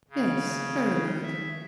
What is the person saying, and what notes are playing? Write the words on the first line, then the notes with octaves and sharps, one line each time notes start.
'Yes, very like.
C#3
E5